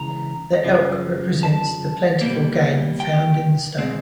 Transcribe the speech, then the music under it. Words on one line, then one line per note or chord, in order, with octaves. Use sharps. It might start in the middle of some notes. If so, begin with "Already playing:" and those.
The elk represents the plentiful game found in the state.
Already playing: C#2 C#3 E3 A#5
F#2 C#3 F3
A5
B2 G3 A#3
G5
B2 G#3 C4